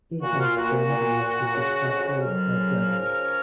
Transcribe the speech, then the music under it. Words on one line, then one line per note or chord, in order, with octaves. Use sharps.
It has boundaries with the suburb of Gunton.
A#2 F#4
F4
A#2 F#4
F#4
A#2
A#2
C#3
F2
F#3 A#4
C#3
F3
C#4